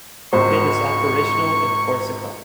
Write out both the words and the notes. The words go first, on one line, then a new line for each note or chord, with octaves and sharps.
It is operational in Corsica.
G#1 C#2 C5 C#6